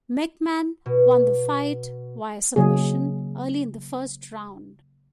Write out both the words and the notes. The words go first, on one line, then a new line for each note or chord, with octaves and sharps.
McMann won the fight via submission early in the first round.
B2
C#3 F#3 A#3 G#4